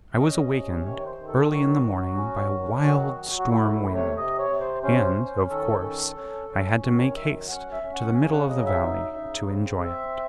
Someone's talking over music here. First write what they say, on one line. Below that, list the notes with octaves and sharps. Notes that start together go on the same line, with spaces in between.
I was awakened early in the morning by a wild storm-wind and of course I had to make haste to the middle of the Valley to enjoy it.
C#4 D#5
C3
D#3 C#5
C5
D#3
A4
F#3 F#4
F#3
C#4
D#3
F#3 F#4
F#3
F#4
A3 E4
F#4
E4
C3
C#5
C3 D#5
C#5
C3
C5
C#4 C5
C#4
D#3 A4
C#4
C#4
C#4
D#3 F#4
C#5
F#2 E5
C#4 F#5
E5
C#4
F#5
C#3 G#5
F#5
F#3 D#5
E5
D#4
C#3
C4
C4 E5